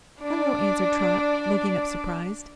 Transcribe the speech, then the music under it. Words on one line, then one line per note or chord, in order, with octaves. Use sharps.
"Hello," answered Trot, looking up surprised.
D4 D5